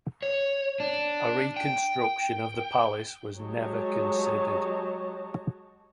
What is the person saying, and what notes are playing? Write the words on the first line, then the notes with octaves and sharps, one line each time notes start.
A reconstruction of the palace was never considered.
C#5
D4
G5
F#3 G#3 G4 C#5 D#5 A5